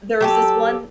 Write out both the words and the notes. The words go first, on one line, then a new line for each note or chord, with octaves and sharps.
there was this one
F#3 G4 A4